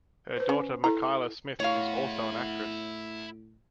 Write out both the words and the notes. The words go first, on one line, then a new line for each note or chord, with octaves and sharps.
Her daughter Makyla Smith is also an actress.
B4 C5
C#4
E4 A4 A#5
A2 E4 C#5 F5 F#5